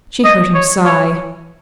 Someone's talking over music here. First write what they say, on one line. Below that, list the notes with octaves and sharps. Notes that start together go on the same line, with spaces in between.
She heard him sigh.
D#5
C#5
C#5